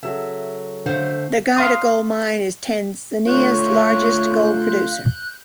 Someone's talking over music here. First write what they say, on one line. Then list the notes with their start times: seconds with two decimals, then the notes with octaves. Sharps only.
The Geita Gold Mine is Tanzania's largest gold producer.
0.03 C#3 F#3 A4 E5
0.86 D3 A3 C5 F5
1.57 F5 C6 D#6
3.26 D3 A3 F4 C#5 F#6 G6